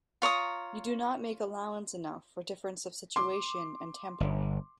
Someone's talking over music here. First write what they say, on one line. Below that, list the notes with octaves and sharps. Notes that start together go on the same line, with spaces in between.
You do not make allowance enough for difference of situation and temper.
F4 C#5 A#5 D#6
C6 D6
G1